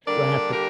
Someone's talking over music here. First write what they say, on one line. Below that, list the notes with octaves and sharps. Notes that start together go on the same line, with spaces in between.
we'll have to
D3 G3 A#3 D4 A#4 D5
G4 A#4